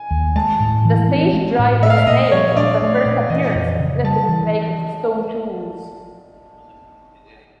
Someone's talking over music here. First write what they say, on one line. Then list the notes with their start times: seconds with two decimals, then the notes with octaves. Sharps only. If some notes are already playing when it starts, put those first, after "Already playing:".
The stage derived its name from the first appearance of Lithic flaked stone tools.
Already playing: G#5
0.11 D#2
0.36 G#3 A5
0.60 A2
0.85 E3
1.09 C4
1.33 G#3
1.59 A2
1.82 A3 E5
1.90 F5
1.98 E5
2.07 A#2 D#5
2.32 F3 C#5
2.57 D4 D5
2.82 A3
3.05 A#2
3.30 E3 D#5
3.55 F2
3.79 C#3
4.03 G3 A5
4.29 E3